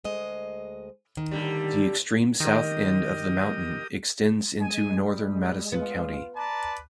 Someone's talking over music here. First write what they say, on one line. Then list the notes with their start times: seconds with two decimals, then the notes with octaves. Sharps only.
The extreme south end of the mountain extends into northern Madison County.
0.04 D2 G#3 D#5
1.17 D#3
1.31 A2 D3 G3
2.40 D#3 G4 A#4 D#6
4.61 G#3 G#5
4.98 G3
5.72 B3 F4
6.35 B4 D5 A5 A#5